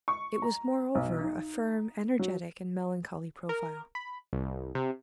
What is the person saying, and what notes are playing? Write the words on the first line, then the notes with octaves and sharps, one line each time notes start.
It was, moreover, a firm, energetic, and melancholy profile.
C#6
A#5
B1
D#4
F#3
A#4
B5
C2
C3